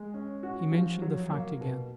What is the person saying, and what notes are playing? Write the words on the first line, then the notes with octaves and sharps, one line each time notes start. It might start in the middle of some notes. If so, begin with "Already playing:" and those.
He mentioned the fact again.
Already playing: G#3
C#4
F#4
F3
F#3
A#3
B2